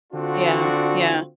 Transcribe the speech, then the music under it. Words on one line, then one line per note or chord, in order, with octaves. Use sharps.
Yeah. Yeah.
D3 C4 D4 F4 F#4